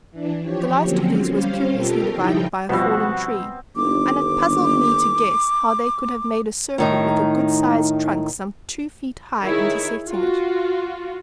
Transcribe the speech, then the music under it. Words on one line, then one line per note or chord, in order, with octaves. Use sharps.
The last of these was curiously divided by a fallen tree, and it puzzled me to guess how they could have made a circle with a good-sized trunk some two feet high intersecting it.
E3 D4
F3 G4 C#5
D3 F3 F#3 A#3 C4 C#4
G3 C#4 C5 F5
B2 F4 G4 A4 A#4
C#3 F3 D#4 E4 G5
B2 F3 G3 B3 C4 F#4
G1 D#2 D6
A2 D#3 D#4
D#3 E4 G#4 C#5
F4 F#4